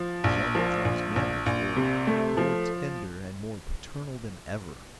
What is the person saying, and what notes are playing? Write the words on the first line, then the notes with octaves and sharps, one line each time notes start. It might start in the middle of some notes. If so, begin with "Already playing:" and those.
Jean Valjean's manners were more tender and more paternal than ever.
Already playing: F3
A#1
F3
A#1
A#1
A#1
C3
A3
F3